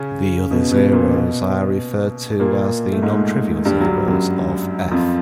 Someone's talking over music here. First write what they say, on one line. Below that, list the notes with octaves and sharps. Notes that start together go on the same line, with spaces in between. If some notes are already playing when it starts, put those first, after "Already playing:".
The other zeroes are referred to as the non-trivial zeroes of "F".
Already playing: C#3 C#4
B2 B3
B2 B3
A#2 A#3
B2 B3
A#2 A#3
A3
G#2 G#3
G2 G3
F#3
G2 G3
F#2 F#3
F2 F3